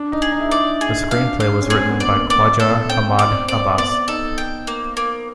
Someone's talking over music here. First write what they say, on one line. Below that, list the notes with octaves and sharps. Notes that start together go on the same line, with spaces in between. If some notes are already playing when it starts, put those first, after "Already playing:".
The screenplay was written by Khwaja Ahmad Abbas.
Already playing: D4
D#4
G#4
D#4
E4
D#4 D5
G#4
D4 F5
F5
C#4
C4 G#4
B3
B3 D5
A#3
B3 D5
B3
A4
B3
C4 G5
C4
D5
C4
C4 D5
B3 D5
D#4 A4
G5
A#3
A#3